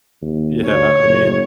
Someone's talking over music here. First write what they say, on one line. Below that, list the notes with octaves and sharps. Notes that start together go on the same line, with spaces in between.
Yeah, I mean,
D#2
D2 C#5
F#1